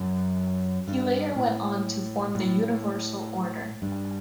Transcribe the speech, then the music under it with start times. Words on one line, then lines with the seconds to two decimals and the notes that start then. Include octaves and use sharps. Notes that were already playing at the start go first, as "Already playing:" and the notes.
He later went on to form the Universal Order.
Already playing: F#2
0.88 G2
1.36 A2
2.35 A2
3.82 G2